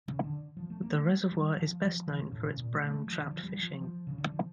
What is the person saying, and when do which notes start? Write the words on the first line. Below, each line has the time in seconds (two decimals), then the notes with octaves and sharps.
The reservoir is best known for its brown trout fishing.
0.08 C#3
0.24 D3
0.57 F3
0.70 A3
0.82 A#3
0.95 A3
1.32 G3
1.57 F3
1.82 F3
2.07 E3
2.19 C#3
2.32 A2
2.44 C#3
2.57 A#2
2.74 A3
2.90 A3
3.07 F3
3.19 D3
3.31 F3
3.43 G3
3.57 F3
3.81 F3
4.07 C#3
4.18 D3
4.32 F3